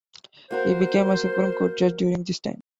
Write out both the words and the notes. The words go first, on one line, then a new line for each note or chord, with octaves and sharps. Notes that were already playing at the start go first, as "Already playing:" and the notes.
He became a supreme court judge during this time.
A#3 F#4 A#4 C5